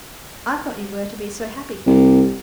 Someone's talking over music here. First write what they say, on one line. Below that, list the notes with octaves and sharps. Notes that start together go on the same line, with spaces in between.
"I thought you were to be so happy here."
C2